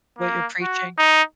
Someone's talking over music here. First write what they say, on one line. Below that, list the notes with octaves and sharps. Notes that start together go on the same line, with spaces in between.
what you're preaching?
A#3
F#4
D#4